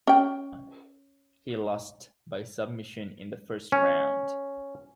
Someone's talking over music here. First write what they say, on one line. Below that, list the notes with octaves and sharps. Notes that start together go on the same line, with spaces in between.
He lost by submission in the first round.
C#4 G5
C#4